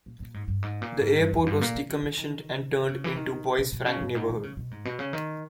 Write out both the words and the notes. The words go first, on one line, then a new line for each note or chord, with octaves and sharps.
The airport was decommissioned and turned into the Bois-Franc neighbourhood.
A#2
A#2
G#2
G2
G#2
A#2
G#2
G2
E2
G2
A#2
D#3
C#3
E3
D#3
C#3
E3
D#3
B2
B2
C#3
G2
G#2
D#3
C#3
B2
G#2
B2
C#3
D#3